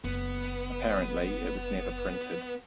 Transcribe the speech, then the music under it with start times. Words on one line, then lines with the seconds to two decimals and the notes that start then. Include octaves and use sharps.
Apparently it was never printed.
0.04 F#1 B3